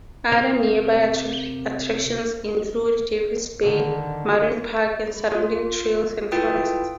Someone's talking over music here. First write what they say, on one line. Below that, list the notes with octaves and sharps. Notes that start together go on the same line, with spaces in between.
Other nearby attractions include Jervis Bay Marine Park and surrounding trails and forests.
C3 A#4 C5 F5
D3 D#3
F4
E4 F4 A4 B4 G5 D#6